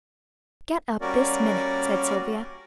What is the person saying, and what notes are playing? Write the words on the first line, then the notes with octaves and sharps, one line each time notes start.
"Get up this minute," said Sylvia.
G3 A#3 C#4 F#4 A#4 D5